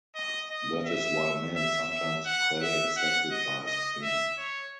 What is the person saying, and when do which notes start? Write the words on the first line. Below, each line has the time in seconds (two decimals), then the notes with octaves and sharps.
That is why men sometimes pray and sacrifice to him.
0.15 D#5
0.50 D#5
0.86 E5
1.56 E5
1.90 E5
2.26 F#5
2.62 E5
2.96 F#5
3.31 D#5
3.67 D#5
4.03 E5
4.38 C#5